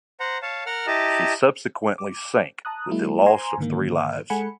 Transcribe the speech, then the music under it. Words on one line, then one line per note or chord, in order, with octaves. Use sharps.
She subsequently sank with the loss of three lives.
C5 F#5 A#5
C#5 F5 A5
A#4 F#5 F6
E4 G4 D#5 A5 A#5
D6
A5 A#5 D#6 F#6
F#3 G#3 A#3 E4
C5 G#5 A#5 C6
G#2 D3 D#3 A#3
G#3 A4 F#5 G#5 B5 C#7